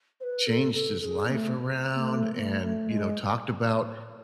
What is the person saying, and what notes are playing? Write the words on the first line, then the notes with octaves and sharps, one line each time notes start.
changed his life around, and, you know, talked about
C5
B4
A4
A4
A4
G#4
B3
A3
B3
A3
B3
A3
A3
G#3